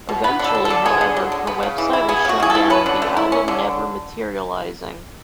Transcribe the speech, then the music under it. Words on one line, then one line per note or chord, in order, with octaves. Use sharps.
Eventually, however, her website was shut down, the album never materializing.
B2
B3 B4
D3 A4
F#3
A4
D3
B3 G#4
D3
F#3
D3
B3
C#3
E3
E4
B3 G#4
C#3 F#4
E3 G#4
A4
E4
C#4 B4
D3
A3
E4
C#4
D3